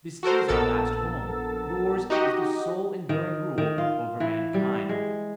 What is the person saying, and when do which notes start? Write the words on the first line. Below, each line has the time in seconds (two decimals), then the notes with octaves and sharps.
This is our last home, yours is the sole enduring rule over mankind.
0.23 F#4 A4 A#4 C5
0.48 A#1 B3 A4 A#4 E6 A6
2.10 D#4 F#4 G4 D#5
3.09 D#3
3.58 D#3
3.78 F4
4.20 E3
4.54 G3
4.89 G#3